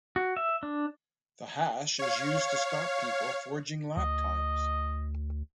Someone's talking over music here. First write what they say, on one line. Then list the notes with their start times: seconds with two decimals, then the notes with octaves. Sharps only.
The hash is used to stop people forging lap times.
0.16 F#4
0.37 E5
0.63 D4
1.99 C#5 F5
3.97 D2 D#5